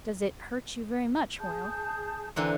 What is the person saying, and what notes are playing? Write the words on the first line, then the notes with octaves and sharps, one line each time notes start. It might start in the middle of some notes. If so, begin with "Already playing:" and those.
"Does it hurt you very much, Hoyle?"
G#4 A5 G6
D3 E3 C4 F#5 G#5 A#5